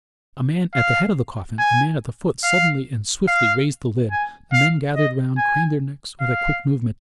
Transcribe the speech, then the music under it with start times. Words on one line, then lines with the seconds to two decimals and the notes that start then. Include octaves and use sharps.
A man at the head of the coffin, a man at the foot suddenly and swiftly raised the lid: the men gathered round craned their necks with a quick movement.
0.75 F5
1.58 G#5
2.43 F5
3.28 F5
4.11 G#5
4.53 F5
4.96 D#5
5.37 G#5
6.21 F5